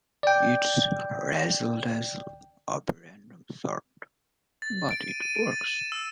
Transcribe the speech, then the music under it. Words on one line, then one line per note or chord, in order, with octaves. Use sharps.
It's razzle-dazzle of a random sort, but it works.
D5 G5
A6
D7
D#7
D#7
D7
A6
E7
E6